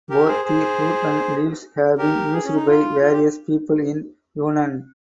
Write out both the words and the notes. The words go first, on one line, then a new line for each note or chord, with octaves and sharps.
Both the fruit and leaves have been used by various peoples in Yunnan.
G4 A#4
G#4 C5
G#4 C5
G4 A#4
G#4
C#4
D#4
F4
F4
G4